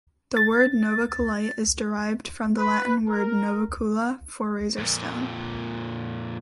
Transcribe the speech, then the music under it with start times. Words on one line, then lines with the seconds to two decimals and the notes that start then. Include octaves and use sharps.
The word novaculite is derived from the Latin word "novacula", for razor stone.
0.37 A6
2.58 B4
3.08 A#4
4.78 F2 A#2